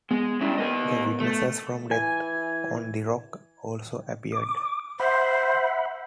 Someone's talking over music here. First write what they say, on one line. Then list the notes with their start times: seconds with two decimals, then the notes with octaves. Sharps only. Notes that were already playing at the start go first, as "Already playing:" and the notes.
The witnesses from "Death on the Rock" also appeared.
0.11 G#3 B3
0.41 G2 C#4 E4 G5
0.58 A#3 B3 A#4 D#5
1.21 A3
1.91 E3 G#5
4.32 D6
5.00 C5 E5 F#5 B5